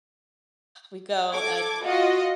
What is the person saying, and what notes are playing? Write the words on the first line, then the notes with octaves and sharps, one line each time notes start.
we go I
A4 D6 G#6
F4 F#4 D#5